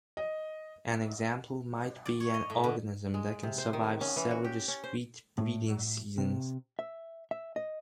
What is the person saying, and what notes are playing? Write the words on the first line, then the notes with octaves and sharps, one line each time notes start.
An example might be an organism that can survive several discrete breeding seasons.
D#5
D5
C#5
D#5
A2
D3
G#3
C3
C5
D#3
C#4
E3
F#4
G4
C#4
C5
A2
C3
E5
E5
D#5